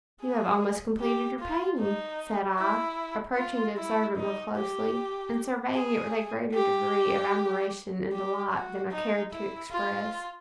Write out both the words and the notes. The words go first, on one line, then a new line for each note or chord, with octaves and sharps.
'You have almost completed your painting,' said I, approaching to observe it more closely, and surveying it with a greater degree of admiration and delight than I cared to express.
G#4
G4
F4
D#4
E4
F4
E4
D#4
G4
G#4
G4
G4
F#4
D#4
E4
F4